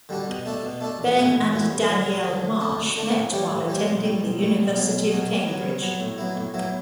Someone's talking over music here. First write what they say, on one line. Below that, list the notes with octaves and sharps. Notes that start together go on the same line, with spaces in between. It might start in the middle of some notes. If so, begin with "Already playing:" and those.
Ben and Danielle Marsh met while attending the University of Cambridge.
D3 G3 D4 F#4
B2
A3 D4 A4
B2
A3 D4 A4
A1
A2 E3 B3 F#4
A1
A2 E3 B3 F#4
G2
D3 F#3
G2
D3 F#3
D2
D3 A3 D4
D2
D3 A3 D4
A2
E3 G3 C#4 G4
A2
E3 G3 C#4 G4
B1
A2 G3
B1
A2 G3
B1
B2 F#3 C#4
B1
B2 F#3 C#4
G2
F#3 B3
G2
F#3 B3
A2
F#3 B3 E4
A2
F#3 B3 E4